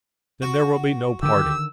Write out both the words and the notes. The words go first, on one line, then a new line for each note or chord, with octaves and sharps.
"Then there will be no parting."
F#4
D3 D#3 G4 E6